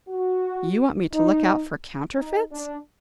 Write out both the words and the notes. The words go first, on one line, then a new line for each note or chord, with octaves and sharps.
"You want me to look out for counterfeits?"
F#4
D#4
D#4
D4